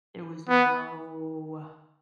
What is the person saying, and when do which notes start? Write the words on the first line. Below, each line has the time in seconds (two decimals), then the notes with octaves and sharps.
there was no,
0.49 B3